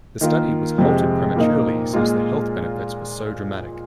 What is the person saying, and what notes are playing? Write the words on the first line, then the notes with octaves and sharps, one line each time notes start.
The study was halted prematurely since the health benefits were so dramatic.
D#3 A#3 F4
F2 C3 G#3
A#2 A#3 D#4
A#2 G#3 F4